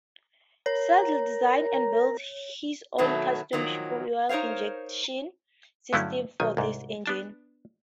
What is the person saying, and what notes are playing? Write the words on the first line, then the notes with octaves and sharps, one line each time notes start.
Sadler designed and built his own custom fuel injection system for this engine.
A#4 C#5
B2 D#3 F#3 A3
A#2 D#3 F3 F#3
D#4 A#4 C5 C#5 F5
G2 D3 F#3 A3 C#4 E4
B1 D#3 G#5
C2 G#2
B3 D4 A5